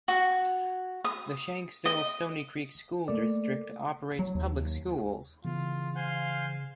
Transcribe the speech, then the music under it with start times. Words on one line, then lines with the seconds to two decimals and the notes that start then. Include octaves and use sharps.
The Shanksville-Stonycreek School District operates public schools.
0.08 F#4
1.04 D#6
1.85 D#5
3.08 A3 A#3 D5
4.19 F#3
4.35 D#2
5.45 C#3 E3 B3 F4
5.96 C5 F5 G#5 G6